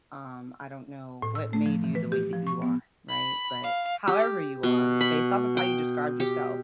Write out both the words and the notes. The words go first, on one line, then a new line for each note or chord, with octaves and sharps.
Um, I don't know what made you the way that you are, right? But, however you are, based off of how you described yourself,
A2
E6
A3
F3
E3
B4
G4
F3
C#6
B3
B5
F5
G4
B2
B5
G5
G4